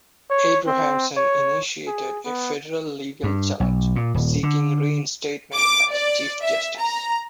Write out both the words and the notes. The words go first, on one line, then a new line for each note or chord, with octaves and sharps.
Abrahamson initiated a federal legal challenge seeking reinstatement as Chief Justice.
C#5
C4
C#5
G#4
B3
G2
B1
A#2
D#1
D3
D6
D5
E5
A#5